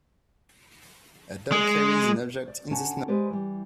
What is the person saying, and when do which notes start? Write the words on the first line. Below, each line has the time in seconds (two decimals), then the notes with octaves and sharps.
A dog carries an object in the snow.
1.52 G#3
2.48 D5
2.71 D3 C#4 F#4 F#5 A5
3.08 G#3 G4 B4 C5 D5
3.30 E3 G3